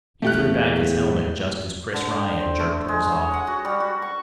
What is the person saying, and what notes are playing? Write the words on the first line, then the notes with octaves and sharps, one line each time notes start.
He threw back his helmet just as Chris Ryan jerked hers off.
E2 A3 G4 F#6
D3
G5
C5
A3
G#3
C#5
F#5
F#4
G3
F#4
C#6